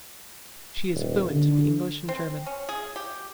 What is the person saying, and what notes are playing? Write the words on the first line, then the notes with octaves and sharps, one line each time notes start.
She is fluent in English and German.
D#1
D3
C4
C#4
G#4
G4